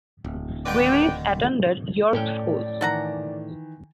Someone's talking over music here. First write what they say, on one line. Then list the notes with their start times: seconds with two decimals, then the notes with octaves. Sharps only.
Willis attended York School.
0.24 D1
0.66 D3 D#3 B4 D5 G5 D6
2.13 A2 C#4 D5 G5
2.81 D#3 E3 A4 F#5 A#5